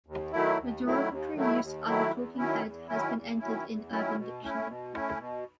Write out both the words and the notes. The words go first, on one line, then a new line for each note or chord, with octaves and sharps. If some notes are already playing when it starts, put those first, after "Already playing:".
The derogatory use as a "talking head" has been entered in Urban Dictionary.
D#2
D#3 F#3 A3 E4
D#2
D#3 F#3 A3 E4
D#2
D#3 F#3 A3 E4
D#2
D#3 F#3 A3 E4
E2
D#3 F#3 C#4 E4
E2
D#3 F#3 C#4 E4
E2
D#3 F#3 C#4 E4
E2
D#3 F#3 C#4 E4
B2
A3 C#4 E4
B2
A3 C#4 E4
B2